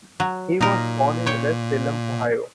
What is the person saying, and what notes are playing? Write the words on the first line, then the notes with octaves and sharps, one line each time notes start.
He was born in West Salem, Ohio.
F#3
A#2 D#4 A#4
C#5 G5